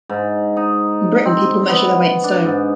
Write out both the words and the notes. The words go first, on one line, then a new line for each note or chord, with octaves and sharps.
In Britain people measure their weight in stone.
G#2
D#4
C4
B3
D4
G#2